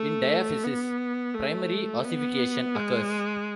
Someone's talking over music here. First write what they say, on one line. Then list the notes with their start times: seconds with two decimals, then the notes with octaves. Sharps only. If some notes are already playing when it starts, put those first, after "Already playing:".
In diaphysis, primary ossification occurs.
Already playing: A3
0.64 B3
1.34 A3
2.04 B3
2.75 G#3